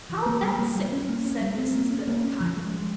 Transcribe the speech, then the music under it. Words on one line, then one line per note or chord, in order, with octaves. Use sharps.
How vexing!' said Mrs Biddle, kindly.
E3
A#3
G3
A#3
G3
C#4
A#3
C#4
G3
C4
A#3
C#4
A#3
C#4
F3
G#3
G#3